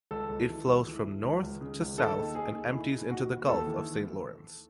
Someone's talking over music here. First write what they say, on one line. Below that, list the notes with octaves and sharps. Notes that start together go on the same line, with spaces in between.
It flows from north to south and empties into the Gulf of Saint Lawrence.
C#2 A4
C#2
E3
C#2
E3
E3
C#2
C#2
C#3
C#2
D#3 A4
D#2
D#3 G#4
D#2
D#3 E4
D#3
D#2 F#4
D#2
D#2 A4
E3